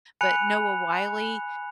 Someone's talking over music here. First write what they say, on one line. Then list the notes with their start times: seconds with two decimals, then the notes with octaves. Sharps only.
but Noah Wiley
0.21 G#5 B5 F#6 C#7 F7